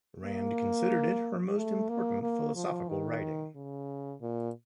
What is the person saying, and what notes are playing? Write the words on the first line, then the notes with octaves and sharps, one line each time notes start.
Rand considered it her most important philosophical writing.
A#3
A3
A#3
A#3
F3
D#3
C#3
A#2